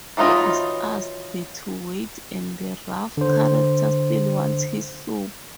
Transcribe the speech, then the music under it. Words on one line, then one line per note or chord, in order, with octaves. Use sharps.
He is asked to wait and the rough character still wants his soup.
E3 F#3 D#4 F4 D#5
D3 C5